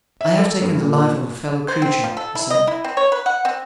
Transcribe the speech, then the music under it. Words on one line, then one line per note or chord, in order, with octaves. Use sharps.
"I have taken the life of a fellow-creature," he said.
E5
A4
G2
A#2
C5
C4
F3
A4
E4
D#5
E4
C4
C#5
B4
F#5
C4